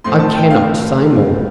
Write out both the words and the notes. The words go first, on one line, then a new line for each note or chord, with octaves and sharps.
I cannot say more.
A2 F3 A3 C4 C6
A5
G5
F5